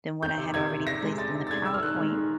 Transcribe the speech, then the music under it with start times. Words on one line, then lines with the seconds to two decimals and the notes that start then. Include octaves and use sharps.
than what I had already placed in the PowerPoint,
0.23 D#3 G6
0.38 C3
0.54 C3 G#6
0.71 D#3
0.87 C3 A#6
1.03 G#3
1.18 C3 A6
1.35 C3
1.47 A6
1.51 G#3 G#6
1.66 C3 E6
1.74 F6
1.83 D#3 F#6
2.00 G#3
2.15 D#3